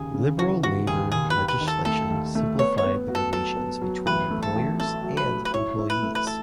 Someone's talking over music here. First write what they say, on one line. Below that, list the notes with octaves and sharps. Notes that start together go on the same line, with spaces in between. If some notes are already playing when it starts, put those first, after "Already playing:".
Liberal labour legislation simplified the relations between employers and employees.
Already playing: D#2 C#3 G#4
C#3
E3 F#4
D#2 F#4
D#2 G#4
D#2 G#4
B4
D#2
B4
D#3
A4
A3 A4
D#2
A3
B3 C#5
C#5
B3
F#4
A4
F#3 A4
B3
F#3
A1 B4
A3
A4
A1
A3 A4
F#3
B4
F#3
B4
E4 C#5
E4
B4
A3
B4
A4